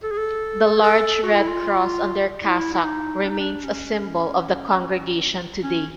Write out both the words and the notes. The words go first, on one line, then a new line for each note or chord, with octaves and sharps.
The large, red cross on their cassock remains a symbol of the Congregation today.
A4
G#4
A4
G#4
A4
F#4
F4
E4
F4
E4
E4
D#4
D4
D#4
D4
C#4
C#4